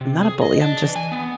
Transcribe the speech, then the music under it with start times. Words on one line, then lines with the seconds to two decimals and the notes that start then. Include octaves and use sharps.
I'm not a bully, I'm just
0.01 C3
0.23 G#4
0.42 D#5
0.61 D4
0.83 E3
0.96 G#5
1.12 B3